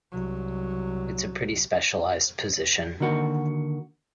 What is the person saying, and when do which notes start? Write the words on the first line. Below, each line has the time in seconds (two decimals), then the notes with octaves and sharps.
It's a pretty specialized position.
0.12 C2 F#3
3.00 D3 D#3 A#3 F#4